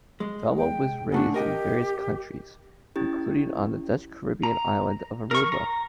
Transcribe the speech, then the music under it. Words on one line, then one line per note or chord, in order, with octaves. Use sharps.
Thelma was raised in various countries, including on the Dutch-Caribbean island of Aruba.
G#3
G5
C#3 A3 D4 F#5
G4 A#4 D#5 G5
C#4 E4 G4
A#5
A#4 C#6
A#5